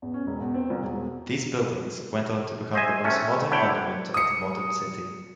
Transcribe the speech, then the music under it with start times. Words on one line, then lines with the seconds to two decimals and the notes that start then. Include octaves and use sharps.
These buildings went on to become the most modern monument of the modern city.
0.02 E2
0.14 C#4
0.27 E1
0.40 E2
0.54 C4
0.70 C2
0.83 E1
2.74 C5 D#5 E5 G#5
3.04 C3 A3 C#4
3.51 D3 E4 C#5 F#5 G5
4.14 D#6 C#7